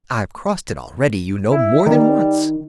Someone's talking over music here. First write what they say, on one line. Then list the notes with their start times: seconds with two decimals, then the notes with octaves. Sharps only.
I've crossed it already, you know, more than once.
1.51 E4
1.86 D#3 G3